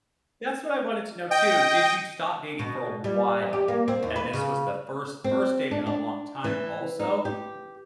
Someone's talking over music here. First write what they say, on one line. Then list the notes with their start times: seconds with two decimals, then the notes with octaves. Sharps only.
That's what I wanted to know too. Did you stop dating for a while, and this was the first first date in a long time also? Wou
1.31 D#5 G5
2.59 B2
3.04 G3
3.53 G4
3.68 A#3
3.88 C4
4.03 D#2
4.16 B4
4.33 C#3
5.24 C4
5.71 D4
5.86 D4
6.44 E3
7.00 D#4
7.25 G4